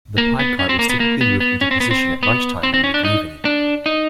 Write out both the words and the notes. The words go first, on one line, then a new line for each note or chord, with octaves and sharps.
The pie-cart was typically moved into position at lunch time and in the evening.
A#3
B3
C#4
C4
A#3
B3
A#3
B3
B3
C#4
C4
B3
C4
B3
C4
C4
C#4
D4
D#4
D4
D#4